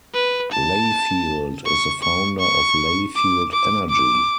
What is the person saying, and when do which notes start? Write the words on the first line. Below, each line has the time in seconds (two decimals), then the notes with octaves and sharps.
Layfield is the founder of Layfield Energy.
0.14 B4
0.52 A5
1.65 C#6
2.03 C#6
2.40 C#6
3.16 D6
3.53 D6
3.90 D6